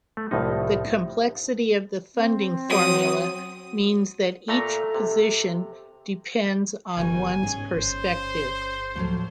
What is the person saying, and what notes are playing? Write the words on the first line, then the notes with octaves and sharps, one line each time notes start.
The complexity of the funding formula means that each position depends on one's perspective.
A3
C2 A2 F3 D#4
C4
F#3 D#6
A#2 A3 A4 A#5
C3
F#1 B2 D#3 G3 G#5
G#2 C#4 G#4
G1 C5
D2 A2 F3 F#3